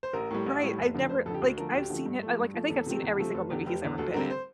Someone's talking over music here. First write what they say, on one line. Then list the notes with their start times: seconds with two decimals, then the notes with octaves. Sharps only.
Right, I've never like, I've seen I like, I think I've seen every single movie he's ever been in
0.03 C5
0.13 A1 A#4
0.31 A2 G3
0.46 A1
0.62 A2 G3
0.78 F1
0.95 F2 D3
1.10 F1 C5
1.26 F2 A4
1.30 D3 G4
1.42 D2
1.58 D3 F3 A3 A#4
1.74 D2 G4
1.90 D3 F3 A3
2.06 G2
2.23 F3 A3
2.39 G2
2.54 F3 A3
2.70 E2 A4
2.86 C3 F3 A3 C4
3.02 E2
3.18 C3 F3 A3 C4
3.34 F1 A4
3.50 E2 G4
3.53 D3
3.66 F1 G4
3.82 E2 D3
3.98 D2 A4
4.14 D3 G3 C4 A#4
4.30 C5